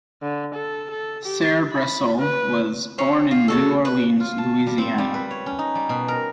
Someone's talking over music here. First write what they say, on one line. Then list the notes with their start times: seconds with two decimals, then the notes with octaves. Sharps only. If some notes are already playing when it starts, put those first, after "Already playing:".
Sarebresole was born in New Orleans, Louisiana.
0.22 D3
0.54 A4
0.91 A4
1.25 G4
1.73 B5
2.19 B4
2.98 C4 C#4
3.31 F4
3.48 C#3 F#4 A4
3.85 B4
4.20 F4
4.38 A5
4.67 G3
4.78 C4
4.98 G3
5.14 B4
5.31 C#5
5.46 C#4
5.59 D#4
5.75 G3
5.89 B2
6.08 A#4